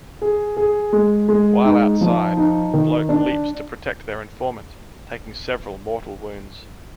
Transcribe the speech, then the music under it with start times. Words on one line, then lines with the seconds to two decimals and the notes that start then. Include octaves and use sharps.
While outside, Bloke leaps to protect their informant, taking several mortal wounds.
0.22 G#4
0.57 G#4
0.92 G#3
1.29 G#3
1.64 D#4
2.01 F3
2.37 D#4
2.73 D#3
3.09 D4